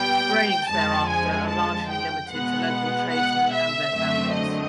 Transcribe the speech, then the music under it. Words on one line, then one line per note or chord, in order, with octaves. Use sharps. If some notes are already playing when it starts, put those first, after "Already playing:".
Graves thereafter are largely limited to local tradesmen and their families.
Already playing: A#2 G3 B3 G5
F2 D3 F3 G#3 A5
G#5
A5
G5
B2 G#3 B3 F#5
F#5
E5
F#2 D3 F#3 A3 C4
D#5